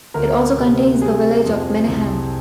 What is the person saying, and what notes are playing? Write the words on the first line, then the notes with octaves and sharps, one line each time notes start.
It also contains the village of Meneham.
D2 A#4
C3
G3 G#4
F2
C2